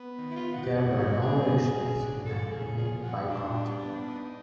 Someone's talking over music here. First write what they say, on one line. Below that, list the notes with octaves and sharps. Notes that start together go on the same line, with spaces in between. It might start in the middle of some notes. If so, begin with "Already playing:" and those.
There were no rations in an innings by Compton.
Already playing: B3
D#3
E4
F4
D#3
F#4
G4
D#3 F#4
G3
D3 G#4
G2
F#3
D3
F2 A4
C#3 G#4
F3 G#4
F2 F#4
D4 D#4
G3
B3
D#4